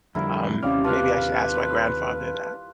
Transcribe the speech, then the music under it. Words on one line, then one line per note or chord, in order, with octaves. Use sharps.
Um, maybe I should ask my grandfather that.
F2 D3 G3 E4 A#4
D#2 C3 G3 C#4 D5 F5 F6
F4 B4 D5 A5 F6